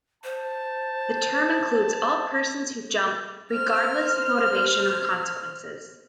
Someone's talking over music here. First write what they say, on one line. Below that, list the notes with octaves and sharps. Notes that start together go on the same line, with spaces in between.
The term includes all persons who jump, regardless of motivation or consequences.
C5 A5
C5 F6